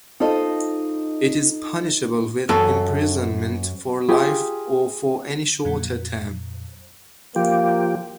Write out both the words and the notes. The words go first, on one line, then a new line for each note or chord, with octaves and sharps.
It is punishable with imprisonment for life or for any shorter term.
D#4 F4 A4 C5 D#5
F#2 A4
F4 G4 G#4
F2 A#2 F#3
F3 A#3 G4